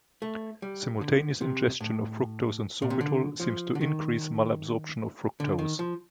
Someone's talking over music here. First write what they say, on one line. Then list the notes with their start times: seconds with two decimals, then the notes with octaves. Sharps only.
Simultaneous ingestion of fructose and sorbitol seems to increase malabsorption of fructose.
0.22 A3
0.62 G3
1.01 D3
1.41 C3
1.81 A2
2.82 A#2
2.90 C3
3.01 D3
3.40 F3
3.75 D3
3.81 D#3
5.40 D3
5.59 D#3
5.79 F3